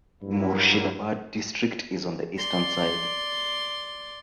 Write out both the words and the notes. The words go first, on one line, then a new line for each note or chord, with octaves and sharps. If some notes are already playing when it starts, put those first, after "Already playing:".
Murshidabad district is on the eastern side.
G2 F#3 A#3 E4
D5 C6